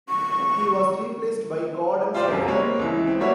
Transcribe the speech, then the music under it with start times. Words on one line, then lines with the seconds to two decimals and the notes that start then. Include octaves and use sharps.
He was replaced by Gordon Fryett.
0.09 C#6
2.14 F4 G4 C5 D5
2.28 C2 F#2
2.48 G3 G#3 A#3 C4 C#5
2.80 C#2 E3
3.07 C4
3.20 G3 A3 A#3 F#4 C#5 E5